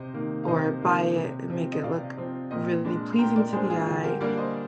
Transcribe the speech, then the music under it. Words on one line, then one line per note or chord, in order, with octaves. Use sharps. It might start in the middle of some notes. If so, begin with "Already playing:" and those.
or buy it and make it look really pleasing to the eye,
Already playing: C3 C5 D#5
D#3 A#3
F5
C3 C5 D#5
D#3 A#3
C3
F3 C4
D#5
C3 D5 F5
F3 C4
A#2 D#5 G5
G#3 D4
C6
A#2 G5 A#5
A#4 D5
G#3 D4 G#4 C5
F4 G#4
D3 F4 G#4
G4 A#4
G3 A#3 D4 A#4 D5
C5 D#5